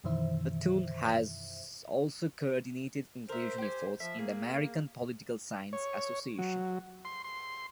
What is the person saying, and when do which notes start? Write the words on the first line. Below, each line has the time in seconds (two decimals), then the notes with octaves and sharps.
Htun has also coordinated inclusion efforts in the American Political Science Association.
0.04 F#2 B2 D#3 E3 C5 E5
3.29 A#4 C5 E5
3.58 G4 G#5
4.00 F3 E5
4.19 A#3 G#4
5.73 C#5
6.38 F#3
7.05 C6
7.24 C6